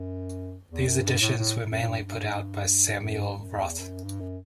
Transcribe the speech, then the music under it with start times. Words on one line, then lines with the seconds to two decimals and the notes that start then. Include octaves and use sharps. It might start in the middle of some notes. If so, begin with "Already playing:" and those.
These editions were mainly put out by Samuel Roth.
Already playing: F#2
0.71 E2
0.87 F#2
1.03 G2
1.21 A2
1.38 A2
1.70 F#2
1.83 A2
1.87 G2
2.04 G2
2.93 G2
3.03 F#2
3.20 G2
3.38 F#2
3.54 E2
3.79 F#2
4.03 G2
4.20 F#2